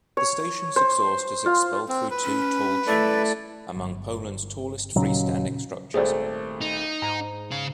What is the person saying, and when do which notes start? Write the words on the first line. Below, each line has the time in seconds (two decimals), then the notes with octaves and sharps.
The station's exhaust is expelled through two tall chimneys, among Poland's tallest free-standing structures.
0.17 C#5
0.76 C5
1.46 F4
1.89 C4
2.11 B4
2.24 C#4
2.87 A3 E4 A4 D5
3.76 G1
4.96 D#1 D#2 A#2 C#3 F#3 C#4
5.94 D#1 G#1 A3 G#4 C5 D5
6.61 D#4
7.02 G#2 A#5
7.51 C#3 F5